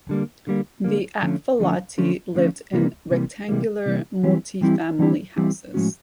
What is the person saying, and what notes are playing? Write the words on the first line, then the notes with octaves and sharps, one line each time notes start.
The Atfalati lived in rectangular multi-family houses.
D3 G3 A#3
D3 G3 A#3
D3 G3 A#3
D3 F3 A3 C#4
D3 F3 A3 C#4
D3 F3 A3 C#4
D3 F3 A3 C#4
C3 E3 G3 A#3
C3 E3 G3 A#3
C3 E3 G3 A#3
C3 E3 G3 A#3
E3 G3 C4 E4 G4
E3 G3 C4 E4 G4
E3 G3 C4 E4 G4
E3 G3 C4 E4 G4
A2 F3 G#3 C#4 F#4